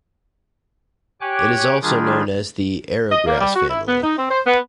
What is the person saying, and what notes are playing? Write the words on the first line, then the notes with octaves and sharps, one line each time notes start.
It is also known as the "arrowgrass" family.
G4 C#5 G5 G#5 D6 F#6
D#3 G3 D4 F4 G#4
D#5
A#3
G3
F#4
E4
B3
D#4
C4
C5
B3